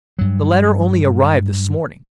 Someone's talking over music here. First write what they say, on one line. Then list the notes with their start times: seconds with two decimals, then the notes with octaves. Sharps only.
The letter only arrived this morning.
0.19 G2 F#3